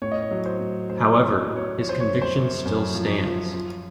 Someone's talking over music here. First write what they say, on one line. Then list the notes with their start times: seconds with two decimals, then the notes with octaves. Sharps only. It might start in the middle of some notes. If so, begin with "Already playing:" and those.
However, his conviction still stands.
0.02 A2 C#5
0.12 D#5
0.22 C#5
0.31 F#3
0.46 C5
0.60 A2
0.90 A2 C5
1.11 C#5
1.19 F#3
1.34 D#5
1.48 F#3
1.56 C#5
1.78 F3 C#5
1.89 C5
2.00 C#5
2.07 F#2
2.22 C5
2.36 F#2
2.66 F#2
2.95 F3
3.24 F3
3.54 F3